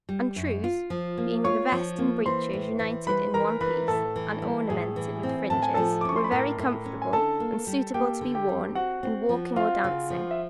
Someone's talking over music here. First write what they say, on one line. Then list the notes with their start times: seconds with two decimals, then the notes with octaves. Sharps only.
And trews being the vest and breeches united in one piece, and ornamented with fringes, were very comfortable, and suitable to be worn in walking or dancing.
0.09 G3
0.36 F#2
0.64 F4
0.90 F3
1.18 A#3
1.44 F4 C#5 C#6
1.72 F3
1.98 A#3
2.26 E3 C5 C6
2.53 A2
2.80 E3
3.06 G3 B4 B5
3.34 E3 A#4 A#5
3.61 E3 B4 B5
3.88 A2 A4 A5
4.16 E3
4.42 G3
4.69 A2 G#4 G#5
4.96 E3
5.23 C4
5.50 A2 A5
5.63 G#5
5.74 F3 A4 A5
6.01 D6
6.05 C#4 C#6
6.16 C6
6.24 B5
6.31 A2 A#4 A#5
6.59 A2
6.86 C#4
7.02 G#5
7.13 D3 A4 A5
7.40 A#3
7.67 G3
7.94 A#3 G4 G5
8.21 D3
8.35 G4 G5
8.49 G3
8.75 C4 F#4 F#5
9.03 C4
9.29 F3
9.56 C4 F4 F5
9.84 C#3
10.10 F3
10.31 E5